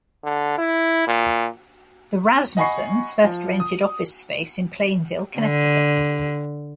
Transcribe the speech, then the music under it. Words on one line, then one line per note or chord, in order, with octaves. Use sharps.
The Rasmussens first rented office space in Plainville, Connecticut.
D3
E4
A#2
D#5 F#5 G#5 B5 C#6 C7
F3
D#6
D3